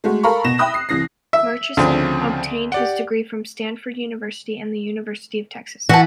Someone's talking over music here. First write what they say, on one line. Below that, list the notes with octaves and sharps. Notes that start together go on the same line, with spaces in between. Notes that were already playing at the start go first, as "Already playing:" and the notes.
Murchison obtained his degree from Stanford University and the University of Texas.
G#3 A3 F#4
A4 A#4 F5 A#5 B5 C#6
B2 A#6 E7
E5 G5 B5 D#6 F#6 A#6
C7
C2 E3 A#6 C7
E5
D2 C#3 F3 C4
G4 D5 F#5
E3 F#4 A5